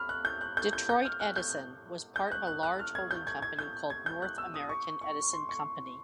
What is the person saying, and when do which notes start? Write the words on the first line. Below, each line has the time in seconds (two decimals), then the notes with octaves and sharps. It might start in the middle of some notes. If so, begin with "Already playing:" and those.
Detroit Edison was part of a large holding company called North American Edison Company.
Already playing: B5 F6
0.09 F#6
0.25 G6
0.41 F#6
0.57 G6
0.73 G6
0.89 G6
1.05 F6
1.20 F#6
1.36 G6
2.16 G6
2.32 F#6
2.47 F#6
2.63 F#6
2.79 F6
2.95 G#6
3.11 G6
3.27 G#6
3.42 G#6
3.59 G6
3.90 G#6
4.06 G6
4.22 F#6
4.38 E6
4.54 D#6
4.69 C#6
5.01 C#6
5.33 C6
5.49 C#6